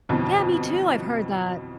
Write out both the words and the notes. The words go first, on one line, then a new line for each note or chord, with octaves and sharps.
Yeah, me too, I've heard that.
G1 F2 B2 E3